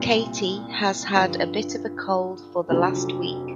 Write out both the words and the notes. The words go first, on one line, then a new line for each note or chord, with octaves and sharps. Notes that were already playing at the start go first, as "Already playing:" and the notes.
Katie has had a bit of a cold for the last week.
Already playing: C2 A#2 G3 C4
G2 D3 F3
F1 F2 D3 F#3